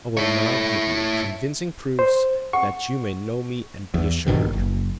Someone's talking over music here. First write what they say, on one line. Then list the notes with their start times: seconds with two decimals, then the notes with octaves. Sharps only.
I will now give you convincing proofs that you may know me and be assured.
0.17 E4 C#5
1.99 C5
2.53 F#5 C#6
3.94 E2
4.26 A#1 G2 B2 D#3
4.53 F#1